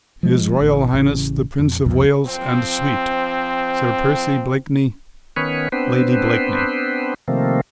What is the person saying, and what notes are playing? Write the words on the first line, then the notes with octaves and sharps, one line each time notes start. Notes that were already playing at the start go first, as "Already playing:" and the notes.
"His Royal Highness the Prince of Wales and suite, Sir Percy Blakeney, Lady Blakeney."
F3 G#3
A1
A1 C#3
F2
C2 F2 B2
F3 C4
D#3 B3 C#4 B4 C#5
B3 C4 D4 B4 C5
C3 D#3 F3 A3 A#3 C4